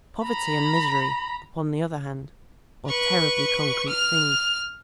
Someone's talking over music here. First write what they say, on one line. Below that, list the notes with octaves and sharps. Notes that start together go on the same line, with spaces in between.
Poverty and misery, upon the other hand, are terribly concrete things.
A#5 B5
B4 C#6
F6